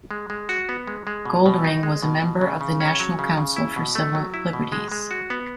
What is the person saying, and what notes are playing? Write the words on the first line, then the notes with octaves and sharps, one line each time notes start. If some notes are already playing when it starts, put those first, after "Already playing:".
Goldring was a member of the National Council for Civil Liberties.
G#3
G#3
F#4
B3
G#3
G#3
B2
B2
D#4
G#3
B2
B2
C#3
C#3
C#4
F#3
C#3
C#3
E4
B2
A3
F#3
E4
B2
G#3
G#3
F#4
B3